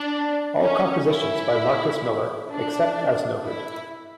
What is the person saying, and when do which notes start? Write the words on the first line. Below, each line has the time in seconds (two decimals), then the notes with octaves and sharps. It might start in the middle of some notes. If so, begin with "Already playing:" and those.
All compositions by Marcus Miller, except as noted.
Already playing: D4
0.61 C#4
1.07 E4
2.50 D4
3.44 E4